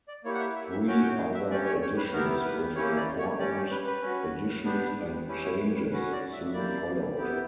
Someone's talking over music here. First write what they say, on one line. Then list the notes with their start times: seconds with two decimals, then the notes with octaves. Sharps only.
Three other editions, with important additions and changes, soon followed.
0.08 D5
0.24 A#3 E4 G4 C#5
0.34 F#5
0.40 E5
0.55 E5
0.72 E5
0.87 C#4 F#4 G5
1.03 G5
1.34 E5
1.51 C#4 G4 D5
1.66 C#5
1.81 C#5
1.97 B4
2.13 B3 E4 G4 A#4
2.45 B4
2.76 A#3 C#4 E4 G4 C#5
2.97 D5
3.18 C#5
3.39 C#4 G4 D5
3.71 B4
3.87 B4
4.01 C#4 F#4
4.64 B3 D4 G4 B4
5.28 C#4 E4 G4 B4
5.44 C#5
5.59 B4
5.75 B4
5.91 C#4 F#4 B4
6.12 D5
6.33 E5
6.53 A#3 E4 G4 D5
7.17 B3 E4 G4